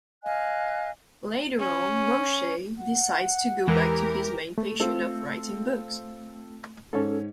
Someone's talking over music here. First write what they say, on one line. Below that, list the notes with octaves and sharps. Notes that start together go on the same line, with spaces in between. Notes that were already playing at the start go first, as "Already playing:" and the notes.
Later on Moshe decides to go back to his main passion of writing books.
D#5 F5 G#5 F#6
C#4
F#5
E2 E3 G#3 G4 A#4
A3
C4 F4 A4
G#2 C#4 A4 C#5